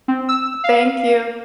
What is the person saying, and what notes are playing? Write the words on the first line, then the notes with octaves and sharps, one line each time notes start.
Thank you.
C4
E6
F5